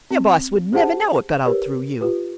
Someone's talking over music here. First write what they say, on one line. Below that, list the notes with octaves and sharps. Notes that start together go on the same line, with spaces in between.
"Your boss would never know it got out through you."
C4
G4 G#4 C5 F#5 A5
G4 A#4 B4 C#5
F4 G4 B4